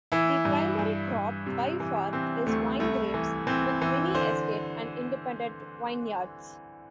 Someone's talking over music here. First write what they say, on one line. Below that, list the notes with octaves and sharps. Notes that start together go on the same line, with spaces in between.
The primary crop by far is winegrapes, with many estate and independent vineyards.
E3 E4
G2
G2
G2
C3
E3
E3 C4
D2 A3
C2 A3
E3
E3 C4
E3
D3 C5